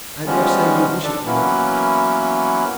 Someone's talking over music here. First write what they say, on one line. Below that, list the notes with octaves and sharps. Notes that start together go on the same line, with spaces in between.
"I dare say you wish it were."
E3 F3 G3 G#3 B3 C#4
D4 A4 D5
E3 F#3 A#3 B3 C#4 E4